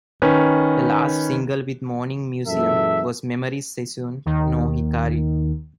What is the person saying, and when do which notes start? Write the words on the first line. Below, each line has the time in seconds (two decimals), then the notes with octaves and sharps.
Her last single with Morning Musume was Memory Seishun no Hikari.
0.22 D#3 C#4 B4
2.47 F#2 A#2 E3 G#3 A4 E5
4.26 D#2 D#3